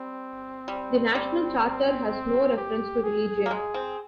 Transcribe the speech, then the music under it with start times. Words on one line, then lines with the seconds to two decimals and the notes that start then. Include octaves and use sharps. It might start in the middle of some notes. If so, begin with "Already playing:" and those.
The National Charter has no reference to religion.
Already playing: G3 C4
0.68 G3
1.15 G3
2.57 G4
3.04 G#4
3.46 A#3
3.51 G#3 G#4
3.74 C4